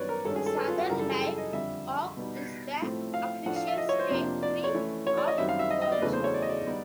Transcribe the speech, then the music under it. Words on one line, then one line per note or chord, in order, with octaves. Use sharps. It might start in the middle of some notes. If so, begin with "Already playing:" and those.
The southern live oak is the official state tree of Georgia.
Already playing: F#2 D#3 G3 B3 D4 B4 C#5 D5
A#4
G2 D#3 G#3 C#4 A4
G#4
A4
B4
F4
F#4
F#2 C#3 E3 G3 A#4
A4
G#4
A4
D#5
F2 D3 G3 E5
B2 G3 B3 D#4
A2 F3 A3 C4
F5
A2 F3 A3 D4 F#5
F5
E5
D#5
C#5
C5
F2 C3 F3 A#3 D4 C5
D5
C#5
E3 A3 C#4 E4
C#5
D5
D#5
F#2 D#3 G3 C4 E5
F5
E5
D#5
D#5
D5
E2 C#3 F#3 A3 D4 B4
C5
C#5
D5
D#5
D5
D#3 G3 B3 D#4